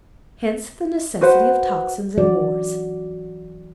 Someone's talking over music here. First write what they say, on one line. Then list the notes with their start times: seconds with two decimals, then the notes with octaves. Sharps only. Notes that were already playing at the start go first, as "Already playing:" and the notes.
Hence the necessity of tocsins and wars.
1.21 F#4 B4 C5 F#5
2.17 E3 F#3 F#4 D5